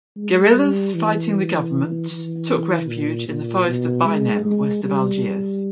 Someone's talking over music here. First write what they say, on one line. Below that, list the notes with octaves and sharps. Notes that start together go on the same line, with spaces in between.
Guerrillas fighting the government took refuge in the forest of Bainem west of Algiers.
G#3
G3
E3
E3
A#2
A#2
B2
G#3
G#3
G3